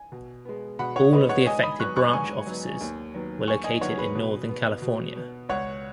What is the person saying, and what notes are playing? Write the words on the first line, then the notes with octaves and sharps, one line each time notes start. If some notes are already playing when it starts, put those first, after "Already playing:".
All of the affected branch offices were located in Northern California.
Already playing: G#5
B2
G#3 B3
B2 F#5 B5
C#5 F#5
G#3 B3 B4 D#5
C#5 F#5
G#2 D#5 G#5
B5 D#6
F#3 B3 C#6 F#6
C#6 F#6
G#2 G#5 C#6
F#3 B3
D#2
D#3 F#3 B3
D#2 G#5 C#6
D#5 G#5
D#3 F#3 B3 C#5 F#5
B4
B2
B3
B2
B3
C#2 C#5 F#5